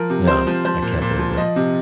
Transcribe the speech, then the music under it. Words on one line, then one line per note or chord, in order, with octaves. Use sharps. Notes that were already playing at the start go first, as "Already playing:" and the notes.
yeah. I can't believe that
Already playing: F3 A#4
C3
C3 C5
F3
F3 C5
A#2
A#2
F3
F3 D#5
C3